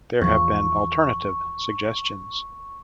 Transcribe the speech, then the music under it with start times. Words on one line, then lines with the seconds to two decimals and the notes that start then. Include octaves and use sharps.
There have been alternative suggestions.
0.21 E2 F3 C#6